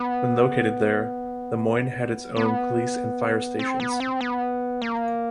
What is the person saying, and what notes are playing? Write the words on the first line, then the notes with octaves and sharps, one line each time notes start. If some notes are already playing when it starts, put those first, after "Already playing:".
When located there, LeMoyne had its own police and fire stations.
Already playing: B3
B3
C4
B3
C4
B3
A#3